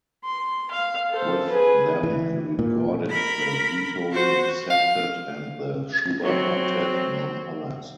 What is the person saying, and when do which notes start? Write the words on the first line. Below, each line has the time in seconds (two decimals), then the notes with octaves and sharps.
With them he recorded the "Beethoven Septet" and the "Schubert Octet" among others.
0.24 C6
0.71 F5
1.10 A4 C5
1.49 G#4 B4
2.03 E3
2.59 A#2
3.10 A#4 B5
4.11 F#4 C5
4.70 F5
6.22 F#3 C4